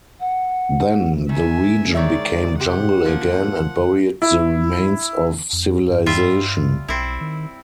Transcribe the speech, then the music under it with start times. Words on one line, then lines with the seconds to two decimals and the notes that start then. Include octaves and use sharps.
Then the region became jungle again and buried the remains of civilization.
0.20 F#5
1.29 D#3 E5 G#5
1.95 D#3 G#3 C#5 D5 E5
2.60 C3 G4 F#5
3.05 F3 A#3
4.22 E4
5.53 F2
5.89 G2
6.06 G3 F4 E5
6.88 B1 C4 E4
7.21 D#3